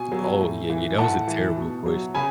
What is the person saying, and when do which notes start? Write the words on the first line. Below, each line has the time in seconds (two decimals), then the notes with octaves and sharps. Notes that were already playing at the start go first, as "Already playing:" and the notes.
Oh, yeah, yeah. That was a terrible question.
Already playing: B2 G#5
0.12 F#3
0.41 A2
0.70 E3
0.98 A2 F#5 A5
1.28 E3
1.56 B2
1.86 F#3
2.15 C#3 G#5 B5